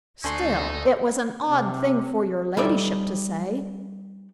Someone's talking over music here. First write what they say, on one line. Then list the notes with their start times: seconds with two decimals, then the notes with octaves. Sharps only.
"Still, it was an odd thing for your ladyship to say."
0.24 D2 D4 D#4 A4 G#5 C6 C#6
1.46 C3 C4
2.57 G3 D#4 A4 D5 E5